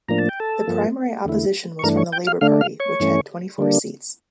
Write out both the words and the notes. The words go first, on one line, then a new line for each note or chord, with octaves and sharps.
The primary opposition was from the Labour Party, which had twenty-four seats.
A2 F3 A#3 D4 A#5
A5
G5
A4 A5
G2 F3 A#3
E2 D3 A3 E4
C#6
G2 E3 A3 D4 A#4 A#5
C#5 C#6
G5 G6
F5 F6
D3 A3 D4 F5 F6
F5 F6
C#5 C#6
G2 E3 A3 C#4
D3 G3 A#3 D4